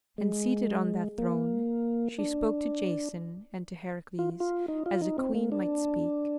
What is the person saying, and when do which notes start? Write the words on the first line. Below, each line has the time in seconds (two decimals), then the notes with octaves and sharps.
And seated on that throne she spoke to Jason and to Heracles as a queen might speak.
0.18 G#3
1.18 A#3
2.19 D4
4.19 F4
4.40 F4
4.68 D#4
4.86 F4
5.02 D#4
5.18 C4
5.35 A#3
5.52 D4